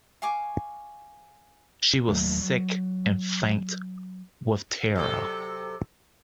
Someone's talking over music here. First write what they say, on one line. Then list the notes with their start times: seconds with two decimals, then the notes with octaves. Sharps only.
She was sick and faint with terror.
0.22 F5 G#5 C#6 D6
2.09 D#2 F#3 A3 A#3
2.42 F#3
4.96 C3 F#3 A4